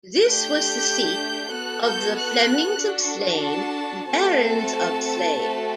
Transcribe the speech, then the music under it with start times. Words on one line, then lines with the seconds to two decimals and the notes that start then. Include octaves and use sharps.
This was the seat of the Flemings of Slane, barons of Slane.
0.23 A3 D4 G4 G6
1.51 B3 F#4 A4 F#6
1.83 G6
2.15 F#6
2.79 D4 F#4 A4
3.44 A5
4.08 A3 C4 F#4 A4 A5
5.36 A3 C4 F#4 A4